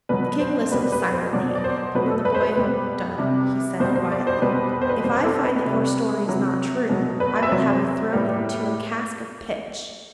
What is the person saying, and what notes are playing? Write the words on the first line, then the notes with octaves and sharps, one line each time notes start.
The king listened silently, and when the boy had done, he said quietly: 'If I find that your story is not true I will have you thrown into a cask of pitch.'
B2 F#3 B4
C5
B2 G3 B4
B4
C5
B2 F#3 D5
D5
C5
B2 F#3 B4
A4
B4
C5
B4
B2 G3 B4
C3 G3
B2 G3 C5
C5
D5
C5
B2 G3 B4
B4
C5
B4
B2 G3 C5
A4
B4
C3 G3
C3 F#3
B2 F#3
B4
E5
C3 F#3 D5
C5
A2 G3